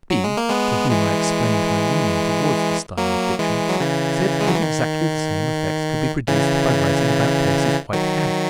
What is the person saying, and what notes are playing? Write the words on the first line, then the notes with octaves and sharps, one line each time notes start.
B., to whom I explained my leaning towards this style of diction, said that exactly the same effect could be produced by writing about places quite handy.
F#3
G#3
A#3
G#3 B3
E3 G#3
F#3 A#3
E3 G#3
F#3
C#3 E3
G#3
F#3
E3
D#3
C#3 E3
D#3 F#3